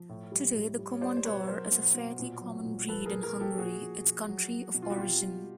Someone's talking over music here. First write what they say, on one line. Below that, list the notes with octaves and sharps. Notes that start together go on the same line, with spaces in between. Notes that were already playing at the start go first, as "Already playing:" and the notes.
Today the Komondor is a fairly common breed in Hungary, its country of origin.
Already playing: F3
A2
G3
A2
G3
C#5
G3 C5 D5
C5
B2 B4 C#5
F#3 A#4 C5
B2
B2
A#2
F#3
A#2
F3 A4 B4
G#4 A#4
A#2
G#4 A#4
A#2
G4 A4
A#2 F#4 G#4
F3
F3
F#3
F#3
B2
F4
F#4
B2 F4 G4
G3